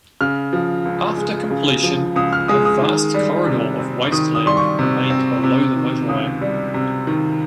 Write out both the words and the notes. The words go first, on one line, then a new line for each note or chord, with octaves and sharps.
After completion a vast corridor of wasteland remained below the motorway.
C#3 F6
F3
C#2
G#3
C#3
F3
C#2 D#6
F6
G#3 D#6
D#6
D#3
G3
C3
C4
D#3 D#6
D#6
G3 C6
C#6
C3
C4
C3
D#3
C#2 D#6
G3
C3
D#3